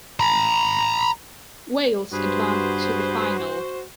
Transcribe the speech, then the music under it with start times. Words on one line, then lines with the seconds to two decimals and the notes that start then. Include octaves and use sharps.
Wales advanced to the final.
0.20 A#5 B5
2.12 G2 F#4 G#4 B4 C5